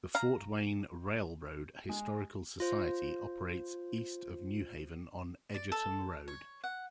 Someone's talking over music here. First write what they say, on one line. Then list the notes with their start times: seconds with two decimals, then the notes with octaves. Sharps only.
The Fort Wayne Railroad Historical Society operates east of New Haven on Edgerton Road.
0.15 F5 A#5
1.89 G#3
2.60 F4 C5
5.54 D5
5.72 A4
6.28 C#5
6.64 F#5